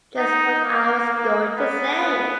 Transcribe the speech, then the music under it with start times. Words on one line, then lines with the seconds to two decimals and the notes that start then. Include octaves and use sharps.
Just what I was going to say.
0.18 D#4
0.64 A#3
1.55 B3
2.01 B3